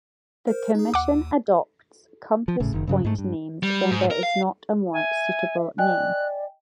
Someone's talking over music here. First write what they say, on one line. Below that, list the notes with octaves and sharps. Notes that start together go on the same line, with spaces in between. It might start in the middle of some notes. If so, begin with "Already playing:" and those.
The Commission adopts compass point names when there is not a more suitable name.
A#4 C5
D#4 G#4
D#2 F#5 D6
F3
G#1 A2 C#3
F#1 D#3
G2 C#3 F#3
G#2 A3
G2
G3
G#2
A#4
F5
E5 G#5
D5 D#5 G5 G#5 F#6